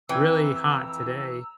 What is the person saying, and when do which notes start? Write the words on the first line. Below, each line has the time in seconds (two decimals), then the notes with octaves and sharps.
really hot today
0.09 F2 E3 G5 A#5 E6 G#6